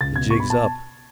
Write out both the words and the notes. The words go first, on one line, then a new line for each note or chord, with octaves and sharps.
The jig's up.
C#2 A6
B2 G#6
B2 C#6
B5
A5